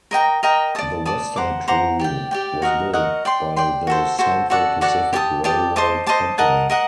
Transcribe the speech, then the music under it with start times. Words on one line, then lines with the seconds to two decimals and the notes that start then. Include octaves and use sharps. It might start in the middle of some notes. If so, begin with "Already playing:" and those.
The western crew was built by the Central Pacific Railroad Company.
0.11 A#4 D#5 G5 A#5
0.43 A#4 D#5 G5 A#5
0.75 D5 A5 D#6
1.05 D5 A5 D#6
1.36 C5 F#5 A#5 D6
1.68 C5 F#5 A#5 D6
2.00 G4 D5 G5
2.31 G4 D5 G5
2.62 F#4 A#4 D#5 F#5
2.93 F#4 A#4 D#5 F#5
3.25 D5 G5 C6
3.56 D5 G5 C6
3.87 F#4 A4 C5
4.19 F#4 A4 C5
4.50 F#4 A4 D5 F#5
4.81 F#4 A4 D5 F#5
5.13 G4 D5 A5 D#6
5.44 G4 D5 A5 D#6
5.76 C5 D#5 A5 D6
6.06 C5 D#5 A5 D6
6.38 A#4 D#5 F#5 A5
6.70 A#4 D#5 F#5